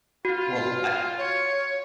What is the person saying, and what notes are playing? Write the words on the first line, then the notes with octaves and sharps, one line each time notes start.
Well, I
F4 F#4
C#5